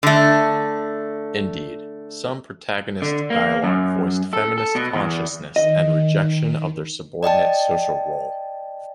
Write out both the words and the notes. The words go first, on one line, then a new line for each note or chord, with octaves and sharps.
Indeed, some protagonist dialogue voiced feminist consciousness and rejection of their subordinated social role.
D3 A3
D3
A#3
F#2
A4
A4
B2
E2
D#3 D#5
D5 D#5 G5 A5